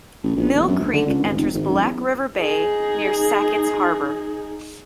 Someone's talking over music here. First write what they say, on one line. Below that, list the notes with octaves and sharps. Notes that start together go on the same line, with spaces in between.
Mill Creek enters Black River Bay near Sackets Harbor.
A1
A#1
E1
F#2
D2
D3
C#2
G#1
F1
G#1
F#2
E2
D#4 G#4